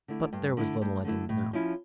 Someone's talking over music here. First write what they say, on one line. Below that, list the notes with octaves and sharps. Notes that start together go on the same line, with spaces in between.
But there was little I didn't know.
D3 A3 E4
G2
D3 A3 E4
G2
D3 A3 E4
A2
F3 C#4 E4